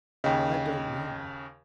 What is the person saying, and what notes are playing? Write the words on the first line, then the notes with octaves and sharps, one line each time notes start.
I don't know.'
D#2 C#3 D#5 G5